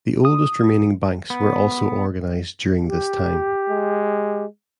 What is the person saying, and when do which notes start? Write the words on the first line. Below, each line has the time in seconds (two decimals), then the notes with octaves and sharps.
The oldest remaining banks were also organized during this time.
0.25 D#6
1.30 B3
2.86 G4
3.70 G#3